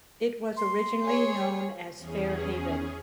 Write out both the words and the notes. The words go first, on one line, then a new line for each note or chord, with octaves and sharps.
It was originally known as Fair Haven.
C6
G#4 C#5
E2 C#4 G#4